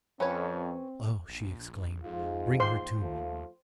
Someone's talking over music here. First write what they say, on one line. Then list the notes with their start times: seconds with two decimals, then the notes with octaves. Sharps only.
"Oh!" she exclaimed, "bring her to me!"
0.20 F2 C4 C#4 B4 C#5
1.29 A#1
2.04 F2 G#2 F4
2.60 D#2 C5 C6
3.01 F3 A3 F4